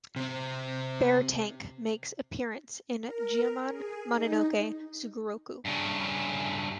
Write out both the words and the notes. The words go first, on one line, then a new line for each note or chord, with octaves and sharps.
Beartank makes appearance in Goemon Mononoke Sugoroku.
C3 C4
A#4
G#4
D#4
G2 C#3